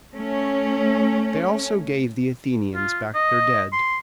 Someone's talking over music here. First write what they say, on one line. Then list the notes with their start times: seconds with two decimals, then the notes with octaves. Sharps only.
They also gave the Athenians back their dead.
0.14 A3 C#4
2.75 F4
3.15 D#5
3.73 C6